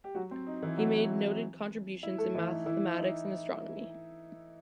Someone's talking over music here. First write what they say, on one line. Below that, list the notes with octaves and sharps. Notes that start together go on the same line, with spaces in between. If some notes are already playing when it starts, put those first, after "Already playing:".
He made noted contributions in mathematics and astronomy.
G4
F#3 F#4
C4
D#4
E3 E4
F#3 F#4
E4 E5
A3 A4
E3 E4
D#4
E3 E4
D#4